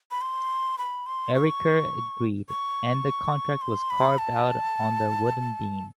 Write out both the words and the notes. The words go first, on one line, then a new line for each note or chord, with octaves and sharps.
Eirikur agreed, and the contract was carved out on a wooden beam.
B5
C6
B5
C6
C#6
C#6
C6
B5
A5